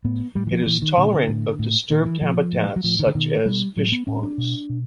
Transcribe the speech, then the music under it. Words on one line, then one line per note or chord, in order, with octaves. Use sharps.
It is tolerant of disturbed habitats such as fish ponds.
A2 B3
A2 G3
E3
F3
A#2 E3
D#3
A#2 D3
D3
A2
A2
A#2 D#3
E3
A#2 F3
A2
F#3
A2 F3
D#3
D3
B2 D#3
B2 G3
A2 F#3
B3
A2 C#4
D4
B2
B2